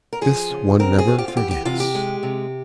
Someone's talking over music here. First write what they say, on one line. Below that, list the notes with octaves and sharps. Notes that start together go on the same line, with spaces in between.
"This one never forgets!"
A#4
F3 G#4
C#3
C4 A#4
G#4
F4
G4
F4
E3 G4
G4
C3 F4
G4
G#3
C3